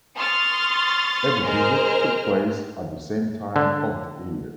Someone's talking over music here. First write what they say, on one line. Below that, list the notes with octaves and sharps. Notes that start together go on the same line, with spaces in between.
Every visit took place at the same time of the year.
C6 C#6 D#6 F6 A6
G#4 A#4 C5 D#5 F6
D3